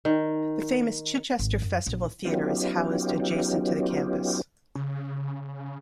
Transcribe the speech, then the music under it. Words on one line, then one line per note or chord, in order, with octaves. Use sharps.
The famous Chichester Festival Theatre is housed adjacent to the campus.
D#3
G#1
F#2
A#1
F#3 B3 C#4 D#4 F4 G4
C#3